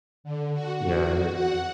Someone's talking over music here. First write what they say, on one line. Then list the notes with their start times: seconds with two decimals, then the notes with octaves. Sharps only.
Yeah, it is.
0.24 D3
0.53 F#4
1.34 F#5